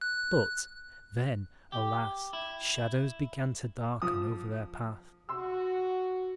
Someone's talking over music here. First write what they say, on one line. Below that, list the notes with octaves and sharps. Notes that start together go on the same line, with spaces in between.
But then, alas, shadows began to darken over their path.
F#6
G4
E4
F3 D#6
F#4 C6 E6